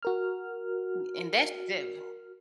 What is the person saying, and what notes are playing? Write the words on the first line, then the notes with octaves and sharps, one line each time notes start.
N and that's def
F#4 A#4 F6